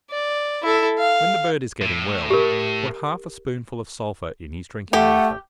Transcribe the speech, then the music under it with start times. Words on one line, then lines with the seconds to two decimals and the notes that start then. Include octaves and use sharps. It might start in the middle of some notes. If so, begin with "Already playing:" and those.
When the bird is getting well, put half a spoonful of sulphur in his drinking-water.
0.10 D5
0.63 E4 A4
0.98 F5
1.81 A2
2.30 G4 A#4
4.93 A3 G4 F#5